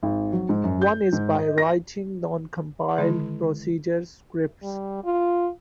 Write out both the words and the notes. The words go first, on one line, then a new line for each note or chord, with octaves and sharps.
One is by writing non-compiled procedure scripts.
G#1
F#3
G#2
F#2
G6
G#2
D#5
A#6
D3 D#3 G#3 E4
G3
F4